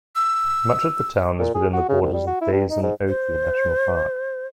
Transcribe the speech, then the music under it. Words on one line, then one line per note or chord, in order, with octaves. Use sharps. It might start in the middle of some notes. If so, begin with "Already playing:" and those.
Much of the town is within the borders of Daisen-Oki National Park.
E6
A#2
G#4
F#4
C#3
C2
G3
F#4
E4
G2
D#4
G#2
C5